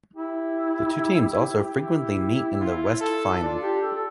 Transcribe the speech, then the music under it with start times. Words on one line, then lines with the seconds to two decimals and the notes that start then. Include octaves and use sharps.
The two teams also frequently meet in the West Final.
0.16 E4 G4
1.79 E4
2.60 F4
3.01 A4
3.41 D4 F4
3.62 G4
3.82 A4
3.95 A4